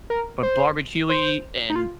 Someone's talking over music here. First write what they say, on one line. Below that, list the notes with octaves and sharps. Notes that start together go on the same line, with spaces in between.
but barbecue-y, and,
A#4
C5
C5
D#4
F4